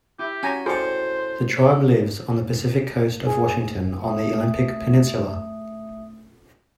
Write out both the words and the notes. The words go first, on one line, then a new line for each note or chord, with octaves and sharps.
The tribe lives on the Pacific Coast of Washington on the Olympic Peninsula.
E4 G4
C#4 F#4 G#5 A#5
A2 F#4 G#4 C5 D5 F5 G5
C#3
G#4
A3 E5 D#6